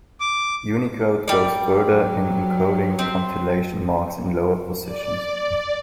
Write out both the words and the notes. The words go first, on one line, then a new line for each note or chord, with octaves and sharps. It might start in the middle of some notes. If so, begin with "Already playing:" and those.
Unicode goes further in encoding cantillation marks in lower positions.
D6
G3 D5
F#3
C4
D5